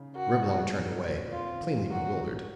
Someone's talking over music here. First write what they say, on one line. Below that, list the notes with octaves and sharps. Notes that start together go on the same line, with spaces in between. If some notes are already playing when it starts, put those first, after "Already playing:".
Reblong turned away, plainly bewildered.
Already playing: C#3 D#4
F#4 A#4
G#3
D#4
A#2
C4 F4
D#3
F#3 F#4
G#2